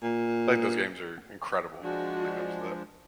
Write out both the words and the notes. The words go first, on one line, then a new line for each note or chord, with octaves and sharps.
like, those games are incredible when it comes to that.
A#2
F3 G#3 D4 F#4